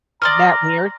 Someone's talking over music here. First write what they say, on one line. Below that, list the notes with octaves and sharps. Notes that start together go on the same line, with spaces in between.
Isn't that weird?
D5 A#5 C6 D#6 F6